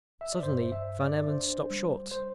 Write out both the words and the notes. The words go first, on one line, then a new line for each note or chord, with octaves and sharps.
Suddenly Van Emmon stopped short.
E5
D5
G2 C5
E5
G2
D5
D4 C5
G3
C5